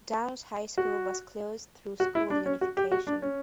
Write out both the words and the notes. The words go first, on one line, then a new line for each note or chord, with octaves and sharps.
Downs High School was closed through school unification.
F#4
F#4
E4
D4
C#4
F#4
G4
F#4
D4
C#4